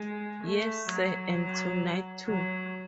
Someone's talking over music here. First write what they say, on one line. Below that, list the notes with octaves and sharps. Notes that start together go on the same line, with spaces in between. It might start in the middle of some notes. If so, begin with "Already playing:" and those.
Yes, sir, and tonight, too.
Already playing: G#3
A3
F#3
F#3